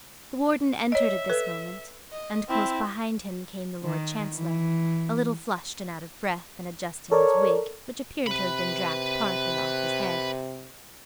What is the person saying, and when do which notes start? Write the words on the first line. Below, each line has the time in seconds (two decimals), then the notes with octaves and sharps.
The Warden entered at this moment: and close behind him came the Lord Chancellor, a little flushed and out of breath, and adjusting his wig, which appeared to have been dragged partly off his head.
0.92 C#5 D#5 E5
1.30 A4 B4
2.12 D#5
2.49 C4 E4
3.83 D#3
4.34 E3
7.12 A4 A#4 C#5 D5
8.27 C3 B4 B5